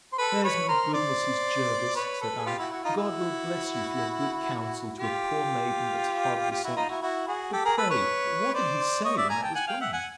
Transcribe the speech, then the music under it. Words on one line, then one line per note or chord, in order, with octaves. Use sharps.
There's my good Mrs. Jervis! said I; God will bless you for your good counsel to a poor maiden, that is hard beset. But pray what did he say, when I was gone?
C5
A4 B4
B4 C#5
A#4 C5
C5 D5
B4 C#5
A4 B4
G#4
F4 G4
E4 F#4
E4 F#4
D#4 F4
E4 F#4
F4 G4
F4 G4
E4 F#4
D#4 F4
E4 F#4
E4 F#4
F#4 G#4
G4 A4
G#4 A#4
A4 B4
B4 C#5
C5 D5
C#5 D#5
D5 E5
G#5 A#5
G5 A5
F#5 G#5
F5 G5
E5 F#5
F#5 G#5